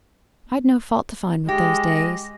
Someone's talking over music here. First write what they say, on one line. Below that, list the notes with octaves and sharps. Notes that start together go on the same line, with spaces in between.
'I'd no fault to find with those days.
G#3 G4 A#6